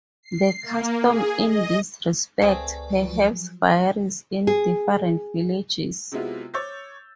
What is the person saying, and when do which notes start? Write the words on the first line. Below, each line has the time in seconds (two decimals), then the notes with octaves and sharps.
The custom in this respect perhaps varies in different villages.
0.23 C7
0.63 A#3
1.03 G#4
1.42 D#5
2.42 C#2 A3 C4 G#4 B4 D5
3.01 F3 F#3
4.47 G#4
6.12 C3 F#3 G#3 B3 E4 F4
6.54 C#5 D6 E6 G6 A6